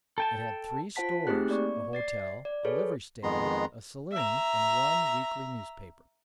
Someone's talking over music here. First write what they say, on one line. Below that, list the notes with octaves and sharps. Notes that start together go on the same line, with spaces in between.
It had three stores, a hotel, a livery stable, a saloon, and one weekly newspaper.
A4 G5 A5
F4 C5 F#5 A5 B6
A3 C4 D#4 G4 G#4 F#6
A#3 D5 C#6
D5 A6 C7
D5
G#4 A4 B4 C#5
F2 D#3 G#3 B3 A#5 C6
E5 A#5